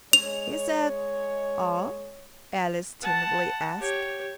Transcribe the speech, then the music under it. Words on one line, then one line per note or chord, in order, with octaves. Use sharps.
'Is that all?' Alice timidly asked.
G#3 C#5 F7
F#5 A5
G4 C#5